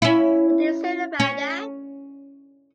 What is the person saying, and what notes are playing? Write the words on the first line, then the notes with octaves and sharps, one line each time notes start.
What do you say about that?
C#4 E4
C#4